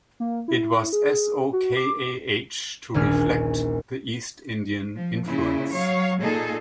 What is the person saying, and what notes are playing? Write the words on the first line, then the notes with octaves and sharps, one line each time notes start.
It was s-o-k-a-h to reflect the East Indian influence.
A#3
E4
G#4
F#4
D6
D6
D#1 A#1 G#4 F6
F3
A#2 C#3 E4
F#3 C#5 F5
A#2 D#4 G#4 A4